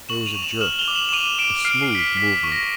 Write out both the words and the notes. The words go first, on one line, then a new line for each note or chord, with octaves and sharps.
There was a jerk--a smooth movement.
C#6 E7 F#7
D#7 F7
C#6
E7 F#7
F6 E7 F#7
F7 G7
D6
E7 F#7
E7
D6 D#7 F7
D6 D7 E7
F6 C7 D7
C7 D7
F6 B6
C7
F6 B6
B6
C#6
A#6